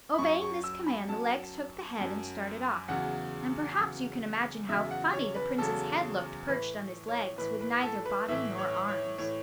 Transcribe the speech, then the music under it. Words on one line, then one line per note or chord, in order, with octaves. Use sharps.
Obeying this command, the legs took the head and started off; and perhaps you can imagine how funny the Prince's head looked perched on his legs, with neither body nor arms.
B5
F#2 F#3 C#6
C#6
E6
B5
F#2 F#3 A5
F#2 F#3
E2 C#3 F#3 F#5
E2 C#3 F#3
E2 C#3 F#3 E5
F#5
C#5
B4
E2 C#3 F#3 A4
A2 E3 B4
C#5
A2 E3 B4
B4
A4
B4
A2 E3 E5
C#5
C#5
A2 E3 C#5